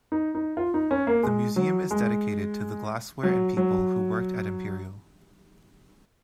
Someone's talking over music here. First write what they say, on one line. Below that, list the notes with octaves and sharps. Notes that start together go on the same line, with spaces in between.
The museum is dedicated to the glassware and people who worked at Imperial.
D#4
D#4
F4
D#4
C#4
A#3
G#3
F#3
G#3
F#3
F#3